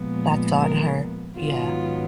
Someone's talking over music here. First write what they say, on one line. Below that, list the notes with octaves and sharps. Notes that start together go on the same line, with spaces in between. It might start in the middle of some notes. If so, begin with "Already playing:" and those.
That's on her, yeah.
Already playing: A#2 F3 G#3 B3
A#4
G#2 D#3 F#3 B3 F4